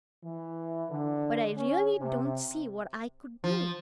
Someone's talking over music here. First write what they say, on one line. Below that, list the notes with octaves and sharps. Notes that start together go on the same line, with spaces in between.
But I really don't see what I could do.
E3
D3
C#4
C3
F3